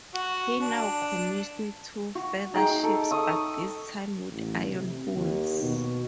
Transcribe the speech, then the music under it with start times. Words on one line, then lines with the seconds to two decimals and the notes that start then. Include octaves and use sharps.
He now commissioned two further ships, but this time with iron hulls.
0.14 F#4
0.61 D4
2.15 F#4
2.54 D#4 G#4 G5 A#5
2.83 A4
3.11 C#6 D#6 E6
4.31 A1
4.68 C3
5.14 D#2
5.63 B2